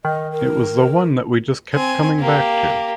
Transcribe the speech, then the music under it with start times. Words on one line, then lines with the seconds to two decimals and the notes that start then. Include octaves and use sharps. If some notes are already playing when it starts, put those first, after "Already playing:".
It was the one that we just kept coming back to.
0.05 D#3 D#5
0.31 A#4
1.73 C4 G#5
2.19 A#3 G4